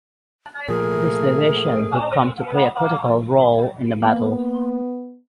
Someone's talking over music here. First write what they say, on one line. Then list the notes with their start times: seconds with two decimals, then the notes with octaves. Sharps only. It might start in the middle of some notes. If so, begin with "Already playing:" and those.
This division would come to play a critical role in the battle.
0.68 A#2 F3 A3 G#4 A#4
4.02 A#3 B3